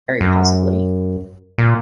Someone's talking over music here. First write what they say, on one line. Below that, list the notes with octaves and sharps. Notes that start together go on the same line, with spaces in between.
Very possibly.
F#2
A#2